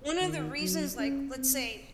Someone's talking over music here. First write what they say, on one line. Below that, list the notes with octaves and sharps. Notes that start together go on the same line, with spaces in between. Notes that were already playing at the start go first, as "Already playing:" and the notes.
one of the reasons, like, let's say
D#3
F#3
C#4
C4